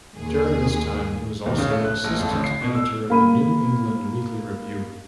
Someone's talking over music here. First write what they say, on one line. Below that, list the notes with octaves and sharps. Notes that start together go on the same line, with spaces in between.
During this time he was also assistant editor of the "New England Weekly Review".
D#2 G#4
D#2
C#3
A3
F#6
A#1
F2
A1
C7
B2
E6
A#3 B5 D#7